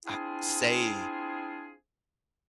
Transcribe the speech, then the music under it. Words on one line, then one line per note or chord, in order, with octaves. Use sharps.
uh, say
C4 D4 E4 F4 G#4